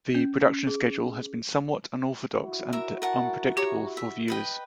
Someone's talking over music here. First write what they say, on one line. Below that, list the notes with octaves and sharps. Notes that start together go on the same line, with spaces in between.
The production schedule has been somewhat unorthodox and unpredictable for viewers.
C#4
G#4
E4 F#4
A#4 E5
A#4 F#5 A5
G4 C#5 A#5 C#6
E5
B4 D#5 G5